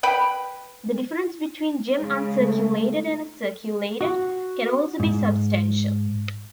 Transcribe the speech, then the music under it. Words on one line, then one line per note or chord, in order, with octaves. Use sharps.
The difference between Gem Uncirculated and Uncirculated can also be substantial.
B4 G5 B5
C#3 G#3
A3
F#4
G#2